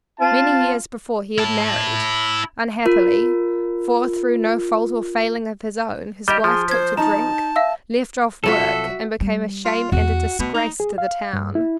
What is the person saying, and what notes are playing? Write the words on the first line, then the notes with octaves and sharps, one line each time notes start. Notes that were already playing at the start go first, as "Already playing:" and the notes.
Many years before he had married; unhappily, for through no fault or failing of his own, his wife took to drink, left off work, and became a shame and a disgrace to the town.
C4 F4 A5
E4 A5
F4 A#4
G3 G4 D#5 G6
F3 G#4
C5 G#6 B6
D#4 A5 A#5
E5 F5 E6
C2 F#3 F4 F#4 A4 E5
G3
F4
E2 F#4
B2 A3
D#4
G#4
F5
G2
E4